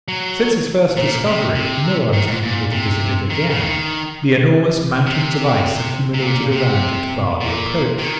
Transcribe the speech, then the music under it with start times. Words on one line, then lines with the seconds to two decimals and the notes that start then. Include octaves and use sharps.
Since its first discovery no one has been able to visit it again; the enormous mountains of ice accumulated around it bar the approach.
0.08 F#3
0.97 A#2
1.26 C3
1.55 C3
2.13 D#3
2.27 G#2
2.43 A#2
2.72 C3
3.30 D#3
3.50 C#3
3.60 D#3
5.06 C3
6.14 C3
6.22 A#2
6.52 C3
7.41 A#2
7.98 D#3